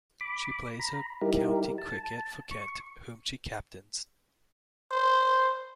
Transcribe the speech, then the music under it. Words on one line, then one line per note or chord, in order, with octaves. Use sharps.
She plays her county cricket for Kent, whom she captains.
B5 D6
A#5 B5
G3 D#4 E4 G4 A#4
A5
C#6
C5